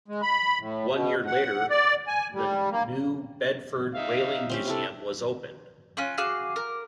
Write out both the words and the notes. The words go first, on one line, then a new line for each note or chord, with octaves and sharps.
One year later, the New Bedford Whaling Museum was opened.
G#3
B5
A2
B2
F#5
D5
G#5
G3
A#3
D#4 E5 F5
C4 C#4 G4
C3 E4 A4
C#4 F4 F#6
F#4 G#4 F5 D6
A#4